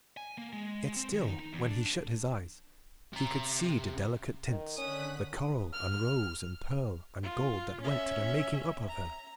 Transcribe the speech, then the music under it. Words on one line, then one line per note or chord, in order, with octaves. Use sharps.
Yet still, when he shut his eyes, he could see the delicate tints, the coral, and rose, and pearl, and gold that went to the making up of her.
G#5
A#3
G#3
C4
D#3
D#4
D#4
E2
D4
C3 A#5
D#3
D3 C#4 D#6 F#6 B6
F6
F4
C#4 E5
A#5